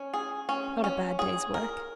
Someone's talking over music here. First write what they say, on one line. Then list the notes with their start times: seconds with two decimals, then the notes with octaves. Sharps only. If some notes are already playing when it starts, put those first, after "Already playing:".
"Not a bad day's work."
Already playing: C#4
0.14 G#4
0.49 C#4
0.84 C#4
1.19 G#4
1.54 A#4